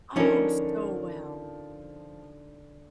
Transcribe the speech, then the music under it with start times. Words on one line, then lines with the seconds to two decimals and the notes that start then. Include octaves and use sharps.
Oh, so well.
0.16 D3 F3 C#4 D#4 A#4